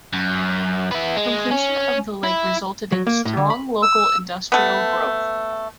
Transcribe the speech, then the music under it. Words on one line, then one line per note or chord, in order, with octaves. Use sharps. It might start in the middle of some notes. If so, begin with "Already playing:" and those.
Completion of the lake resulted in strong local industrial growth.
F#2
B3 E4
G#3
C#4
E4
F#3
A#3
A2
D3
B5
E6
A3 B3